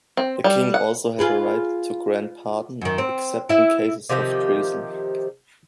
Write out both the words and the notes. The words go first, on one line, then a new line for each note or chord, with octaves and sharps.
The king also had the right to grant pardon except in cases of treason.
C4
G3
F#5
F4 G#4 B4
F#2 D#3
C4
E4 E5
C3 D#3 F3 G4